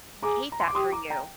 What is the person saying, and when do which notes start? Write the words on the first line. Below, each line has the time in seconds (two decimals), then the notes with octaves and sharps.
I hate that for you.
0.23 G#4 A#5 D6
0.52 A#5
0.60 C6
0.68 D6
0.75 G4 C6 D#6
0.92 A#5 D6
1.10 G5 A#5